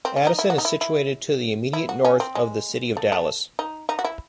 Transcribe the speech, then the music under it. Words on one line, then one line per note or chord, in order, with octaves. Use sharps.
Addison is situated to the immediate north of the city of Dallas.
C4
C#4
D#4
E4
F#4
D#4
E4
E4
E4
F#4
C#4
C4
G#3
A3
A3
D#4
D#4
F#4
E4